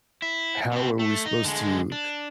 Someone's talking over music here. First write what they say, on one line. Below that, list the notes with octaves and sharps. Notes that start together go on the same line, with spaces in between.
how are we supposed to
E4
B2 C4
A3
D#4
D3 G#3
D4